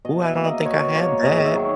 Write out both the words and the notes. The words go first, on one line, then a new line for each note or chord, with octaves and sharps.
Ooh, I don't think I had that.
B2 D#5
E5
A#3
D#5
B2 C#5
A#3 C#5
G#2 D#5
E5
D#3 F#3